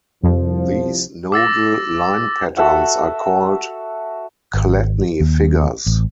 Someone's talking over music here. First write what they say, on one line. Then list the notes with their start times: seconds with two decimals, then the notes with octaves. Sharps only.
These nodal line patterns are called Chladni figures.
0.23 C2 F2 F3
1.32 D6 E6 A6 A#6
2.57 F#4 A4 E5 F#5
4.54 G#1
5.20 D#2
5.86 A1